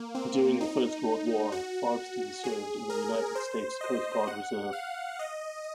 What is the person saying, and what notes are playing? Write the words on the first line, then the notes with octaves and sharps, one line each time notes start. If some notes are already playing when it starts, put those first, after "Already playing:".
During the First World War Farbstein served in the United States Coast Guard Reserve.
Already playing: A#3
C4
D#4
F#4
G#4
A#4
C5
D#5
F#5
F5
D#5